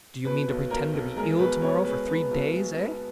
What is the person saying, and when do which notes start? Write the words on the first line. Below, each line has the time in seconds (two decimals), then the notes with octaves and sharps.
"Do you mean to pretend to be ill to-morrow for three days, eh?"
0.25 B2 B4
0.48 B1
0.70 B1 A#4
0.93 B1
1.16 G#3 A#4
1.39 B2 B4
1.62 B3 C#5
1.85 G#3 B4
2.08 B3 B4
2.31 B1
2.53 G#3
2.76 B3